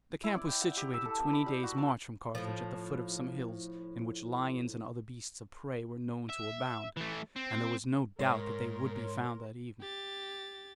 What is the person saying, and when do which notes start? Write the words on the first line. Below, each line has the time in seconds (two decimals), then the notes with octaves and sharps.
The camp was situated twenty days' march from Carthage at the foot of some hills in which lions and other beasts of prey were known to abound, and there was no doubt that they would be found that evening.
0.24 E4
0.36 D5
0.49 G5
0.62 F#5
0.77 G4
0.94 E6
1.05 A4
1.18 B3
1.33 B5
1.46 G3
1.63 F#4
1.78 A5
2.35 A2 F3
6.30 E5
6.97 E3 A3
7.36 C4
8.19 G#2 A#4 C#5 C6
9.81 G4 A6